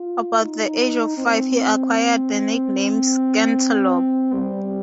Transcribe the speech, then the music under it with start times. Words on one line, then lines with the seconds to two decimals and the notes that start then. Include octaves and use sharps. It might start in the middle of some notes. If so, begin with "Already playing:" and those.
At about the age of five he acquired the nickname "scantelope".
Already playing: F4
0.40 D#4
1.18 C4
4.33 G3